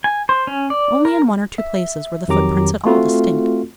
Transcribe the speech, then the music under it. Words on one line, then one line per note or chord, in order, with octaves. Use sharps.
Only in one or two places were the footprints at all distinct.
G#5
C5
C#4
D5
A#4
E5
F2 D#3 F#3 G4 A#5 D6
A3 C4 F4 F#4 A4